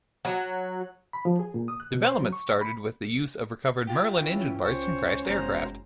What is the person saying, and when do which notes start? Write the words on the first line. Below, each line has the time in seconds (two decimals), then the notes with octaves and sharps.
Development started with the use of recovered Merlin engine parts from crashed aircraft.
0.25 F#3
1.13 B5
1.25 F3
1.39 G#4
1.54 A#2
1.68 D#6
1.80 F#6
1.93 B2
2.05 C5
2.21 F#3
2.33 C#6
2.61 B5
3.87 F4 G4
4.16 E3 C#4
4.64 C#2 C#4 C5 C#6
5.25 F#1 B2 G#3 C5 A#5